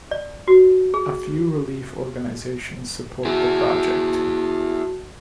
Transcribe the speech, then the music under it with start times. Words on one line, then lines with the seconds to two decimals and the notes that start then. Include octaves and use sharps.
A few relief organizations support the project.
0.11 D5
0.48 F#4
0.94 G#4
3.25 E4 F#4 G#4 A5